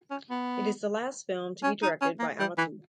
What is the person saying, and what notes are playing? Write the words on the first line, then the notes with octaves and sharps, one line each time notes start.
It is the last film to be directed by Amateau.
C#4
B3
C#4
D#4
C#4
A#3
G3
E3